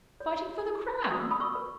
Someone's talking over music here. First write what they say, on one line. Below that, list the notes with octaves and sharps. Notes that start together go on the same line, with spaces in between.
'Fighting for the crown?'
C#5
E4
F#4 D#6
E6
B5 D#6
C#6 E6
B4